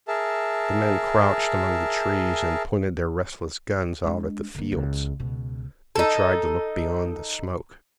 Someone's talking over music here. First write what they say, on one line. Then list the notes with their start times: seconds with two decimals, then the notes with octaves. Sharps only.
The men crouched among the trees and pointed their restless guns out at the fields. They tried to look beyond the smoke.
0.08 G#4 A#4 E5 A5
4.04 G#3 D4
4.55 D3 A#3
4.72 C#2
5.20 C#2 B2
5.96 D#4 A4